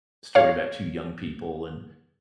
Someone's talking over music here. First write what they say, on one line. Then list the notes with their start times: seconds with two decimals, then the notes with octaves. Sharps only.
story about two young people, and
0.35 C#5 F5